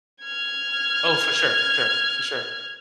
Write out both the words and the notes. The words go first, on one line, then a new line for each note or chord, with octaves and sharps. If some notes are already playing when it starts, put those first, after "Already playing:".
Oh, for sure, for sure, for sure.
F6 G#6